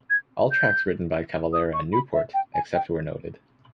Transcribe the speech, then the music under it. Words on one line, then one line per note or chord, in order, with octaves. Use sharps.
All tracks written by Cavalera and Newport, except where noted.
G#6
G6
D#6
C#6
B5
E5
G5
G#5
G5